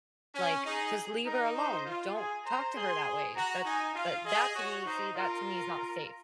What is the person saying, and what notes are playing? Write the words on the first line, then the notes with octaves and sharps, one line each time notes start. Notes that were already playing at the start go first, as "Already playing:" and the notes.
like, just leave her alone. Don't talk to her that way." That that that to me, see, that to me is not safe.
C#4
D#4 G#4
D#4 A#4
C5
F4
G#4 G#5
C5 A#5
G#4 C6
F#4 A#5
D#4 G#5
F4 F5
G#4 D#5
F#4 C#5
D#4 C5
F4 A#4
A#4
A#4